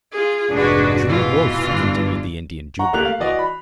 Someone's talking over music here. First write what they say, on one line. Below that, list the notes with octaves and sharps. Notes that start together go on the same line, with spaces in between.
"T'ree wolf!" continued the Indian jubilantly.
F4 G#4
F1 G#2 G#3 D4 F#4 B4
B2 E3 F4
G1 D4
F#5 A#5 C#6
A3 A#3 G4 F#6 F7 F#7
F5
E3 F#4 D5 D#5
B5